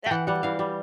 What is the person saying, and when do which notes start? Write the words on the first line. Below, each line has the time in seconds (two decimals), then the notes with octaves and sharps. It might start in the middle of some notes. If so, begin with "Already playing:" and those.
That, uh,
0.06 E3 F#5 G5
0.27 G3 F#5
0.43 E3 F5
0.59 G3